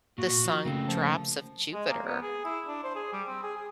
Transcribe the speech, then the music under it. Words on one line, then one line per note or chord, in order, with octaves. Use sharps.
the song Drops of Jupiter.
A#2 F#4
F3
C#3 A3 A#3 C4
F3
G#3
A#3
B3
G#4
E4
D4
C5
G#4
G3
C4
G#4
G#4